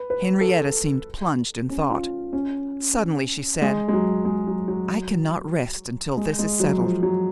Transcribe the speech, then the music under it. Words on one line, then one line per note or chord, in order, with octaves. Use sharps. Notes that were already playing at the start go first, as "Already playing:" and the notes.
Henrietta seemed plunged in thought. Suddenly she said, 'I cannot rest until this is settled.
Already playing: B4
B4
A4
C#4
F4
C#4
G#3
G#3
F#3
G#3
F#3
F#3
G#3
G#3
F#3
F3
F#3